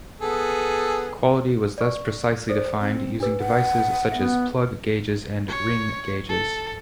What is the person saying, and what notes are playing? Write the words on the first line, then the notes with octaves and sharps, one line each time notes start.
Quality was thus precisely defined using devices such as plug gauges and ring gauges.
B3 G#4 A4
D5 C#6
A4 C5 D5
C4
D4 G4 B4
F#5
B3 E5
C#5
A4